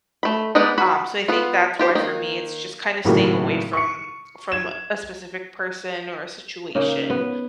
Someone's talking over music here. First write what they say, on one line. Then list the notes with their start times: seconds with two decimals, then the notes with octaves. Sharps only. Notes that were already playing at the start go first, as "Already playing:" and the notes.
Um, so I think that's why for me it's just kinda staying away from from a specific person or a situation,
0.23 A3 B5
0.55 G#3 B3 D#4 B4 D5
0.78 F#4 B5
1.28 B3 F4
1.79 F4 G4 C5
1.95 D#3 A#3
3.05 G#1 A2 C#3 F#3 A#3 G4
3.73 C#6 C#7
4.52 G#6 E7
6.75 C#3 A#3 D#4
7.10 B3